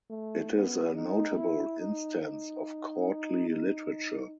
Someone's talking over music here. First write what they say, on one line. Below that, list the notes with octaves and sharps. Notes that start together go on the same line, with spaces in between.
It is a notable instance of courtly literature.
A3
B3
D#4
E4
D#4
D#4
D#4